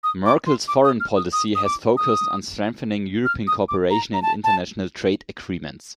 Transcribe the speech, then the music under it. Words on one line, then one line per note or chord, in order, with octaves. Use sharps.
Merkel's foreign policy has focused on strengthening European cooperation and international trade agreements.
D#6
D6
C6
D6
D#6
F6
D#6
D#6
D#6
D6
D#6
F6
D#6
D6
A#5
A#5
A5
A5